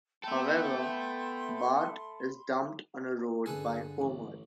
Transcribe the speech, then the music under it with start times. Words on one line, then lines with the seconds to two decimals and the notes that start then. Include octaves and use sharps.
However, Bart is dumped on a road by Homer.
0.24 B3 A4 E5 G5 B5 C6
3.46 G2 D3 G#4 A4 B4
4.01 A1